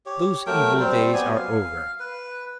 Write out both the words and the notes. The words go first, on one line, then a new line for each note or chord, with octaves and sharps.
Those evil days are over.
G4 C#5
F#3 A3 A#4 G5
G3 C4 C5
F#3 B3 D5 G#5
F5
B4